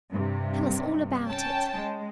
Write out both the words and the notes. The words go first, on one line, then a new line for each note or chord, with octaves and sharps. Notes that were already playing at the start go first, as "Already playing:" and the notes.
Tell us all about it.'
G2 C3
C#4 G5 A5
G#3